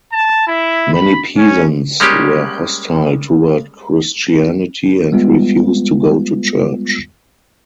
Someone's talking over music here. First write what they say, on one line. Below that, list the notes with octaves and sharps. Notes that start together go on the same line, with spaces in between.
Many peasants were hostile toward Christianity and refused to go to church.
A5
E4
B5
C#4
G3 G#3 A#3 C#4 G4
G3 G#3 B3 F4